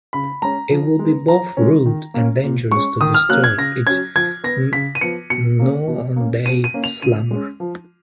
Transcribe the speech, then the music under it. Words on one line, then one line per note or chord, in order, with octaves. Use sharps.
It would be both rude and dangerous to disturb its noonday slumber.
C#3 B5
G#3 C#4 A#5
F3
G#3 B3
F3 A#5
G#3 C#4
D#3
A#3 C#4
A#2
G#3 C#4 C#6
D#3 D#6
F6
F#3 A#3 C#4 F#6
G#6
C#3 A#6
F#3 C#4 G#6
F3 G#6
B3 A#6
C#3 B6
D#7
F3 B3 C#7
B2 C#7
A#3 C#4
B2
A#3 C#4
B2 D#7
D#7
A#3 C#4
F7
C#3 D#7
G#3 C#4
F3